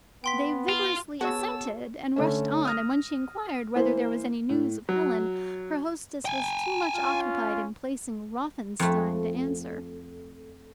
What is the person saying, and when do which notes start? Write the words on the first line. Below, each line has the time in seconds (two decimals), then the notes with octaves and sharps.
They vigorously assented, and rushed on, and when she inquired whether there was any news of Helen, her hostess was too much occupied in placing Rothenstein to answer.
0.24 B3 G5 C6 B6
0.69 F4
1.21 B3 F#4 G#4 C#5 A5 E6
2.16 D3 A3 C#4
2.65 D#6 F6 A#6
3.75 E3 A#3 C5
4.49 A2
4.89 F#3
6.25 G5 G#5
6.96 C#4 F4
8.80 F2 A3